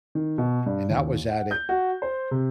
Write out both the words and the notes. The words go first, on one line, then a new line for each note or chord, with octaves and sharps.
And that was at it
D#3
B2
G2
D#2
F#5
G6
F#4
C5
C3